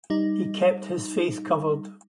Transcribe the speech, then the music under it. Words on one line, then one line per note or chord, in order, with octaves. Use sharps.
He kept his face covered.
G3 D#4